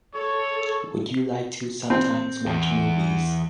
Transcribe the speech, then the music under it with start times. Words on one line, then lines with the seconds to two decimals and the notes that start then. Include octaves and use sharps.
Would you like to sometimes watch movies?
0.15 A4 C#5
1.90 C4
2.46 E2